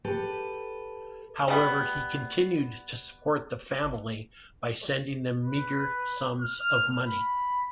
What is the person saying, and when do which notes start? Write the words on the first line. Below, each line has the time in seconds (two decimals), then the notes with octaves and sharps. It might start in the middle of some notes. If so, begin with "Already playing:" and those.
However, he continued to support the family by sending them meager sums of money.
0.04 G4 A4 B4
1.48 G3 B3
5.42 B4
6.41 F6
7.06 B5